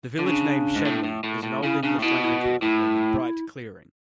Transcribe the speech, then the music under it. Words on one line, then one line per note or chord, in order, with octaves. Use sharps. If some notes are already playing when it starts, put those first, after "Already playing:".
The village name 'Shenley' is an Old English language word meaning 'bright clearing'.
D3
C#3 D4
G#2
A2
A2
A2
A2
C#3 E4
C#3 D4
A2
B2 E4
E4
F#4
A2 E4